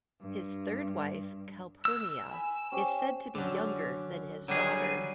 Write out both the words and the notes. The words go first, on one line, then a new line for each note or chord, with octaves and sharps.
His third wife Calpurnia is said to be younger than his daughter.
G2
E6
G#5 B5
C#4 G4 C5
F#2 D3 D6
D3 F#3 G3 D#4 G#4